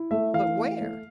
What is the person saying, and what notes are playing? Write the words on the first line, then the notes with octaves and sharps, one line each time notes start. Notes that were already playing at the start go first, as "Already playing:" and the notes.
But where?
Already playing: E4
A3 E5
E3 F5
A3
A3